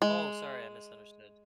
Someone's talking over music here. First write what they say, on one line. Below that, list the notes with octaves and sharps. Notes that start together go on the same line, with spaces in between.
Oh, sorry, I misunderstood,
G#3